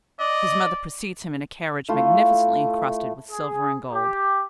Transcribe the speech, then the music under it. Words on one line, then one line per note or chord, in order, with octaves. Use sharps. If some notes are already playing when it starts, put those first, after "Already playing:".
His mother precedes him in a carriage magnificently encrusted with silver and gold.
D5 D#5
A3 E4 F4
G#4
G4